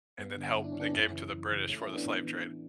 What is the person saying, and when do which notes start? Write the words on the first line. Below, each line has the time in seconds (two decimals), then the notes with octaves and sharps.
and then helped and gave 'em to the British for the slave trade,
0.18 G2 B3
0.37 D3
0.55 G2 E4
0.64 D4
0.72 D3 C#4
0.80 B3 D4
0.94 F#2 C#4 E4
1.12 C#3 E3
1.30 F#2
1.49 C#3 E3
1.69 A2 A3 C#4
1.81 C#4 E4
1.87 E3
1.94 B3 D4
2.06 A2
2.24 E3